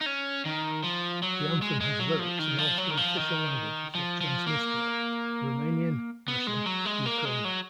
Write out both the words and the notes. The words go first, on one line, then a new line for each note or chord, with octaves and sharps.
The anthem has lyrics in all three official languages of Transnistria: Romanian, Russian, Ukrainian.
D#4
C#4
D#3
F3
F#3
G#3
G#3
F#3
F3
D#3
F3
F#3
D#3
F3
D#3
F3
F3
A#3
B3
G#3
F#3
G#3
A#3
G#3
F#3